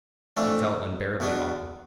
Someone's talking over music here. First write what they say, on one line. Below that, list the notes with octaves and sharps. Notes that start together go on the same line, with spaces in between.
He felt unbearably awkward.
F2 E3 A3 D4
E2 B2 B3 D4